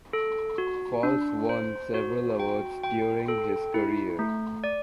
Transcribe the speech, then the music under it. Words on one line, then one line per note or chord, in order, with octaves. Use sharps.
Falls won several awards during his career.
A4
F#4
D4
C5
F#4
G5
G5
A4
E4
A3
D5